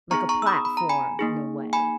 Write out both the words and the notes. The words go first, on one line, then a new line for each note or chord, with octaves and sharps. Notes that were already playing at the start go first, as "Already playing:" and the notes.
like, a platform in a way,
B3 D#4 G#4 A#5 C#6
A#5 C#6
E6
B5 D#6
B5
A#5
G#5 B5
A#3 D#4 G#4
G#5 B5